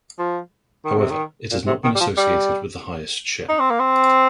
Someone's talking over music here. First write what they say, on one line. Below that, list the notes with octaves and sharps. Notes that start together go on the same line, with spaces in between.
However, it has not been associated with the highest share.
F3
D#3
C3
D#3
A#2
C3
D#3
G3
F3
G3
D#4
C4
A#3
C4